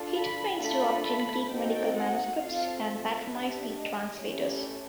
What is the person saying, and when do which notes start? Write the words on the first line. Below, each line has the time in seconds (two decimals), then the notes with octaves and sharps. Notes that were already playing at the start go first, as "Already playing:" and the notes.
He took pains to obtain Greek medical manuscripts and patronized the translators.
Already playing: D4 F4 A4
0.14 B5
0.58 A3 D4 F4 A4 B5
1.04 B5
1.48 C4 D#4 F#4 A4 G5
1.94 F#5
2.39 C4 F4 A4 F5
2.84 E5
3.30 D4 G4
3.75 D#5
4.20 A3 C#4 E4 G4 C#5